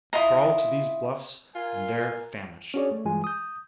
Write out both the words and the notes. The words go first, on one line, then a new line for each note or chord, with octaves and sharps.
He crawled to these Bluffs and there famished.
E4 F4 D#5 A#5
F4 A#4 G#5
C#4 D4 F#4 G#4 C#5 D5
A3
G2 E3 G3 G#3 F4 G#5
D#6 G6